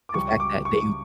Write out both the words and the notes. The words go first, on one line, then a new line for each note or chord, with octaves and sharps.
the fact that they
D6
C#2 C#3 G3 C#6
C#6
D6
C#6